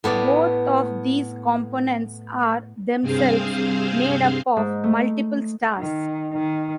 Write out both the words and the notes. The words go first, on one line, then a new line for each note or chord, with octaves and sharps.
Both of these components are themselves made up of multiple stars.
A2 B3 B4 D5
G2 C3 C4 G#4 C5 F5
G#2
A3
D#3
D#3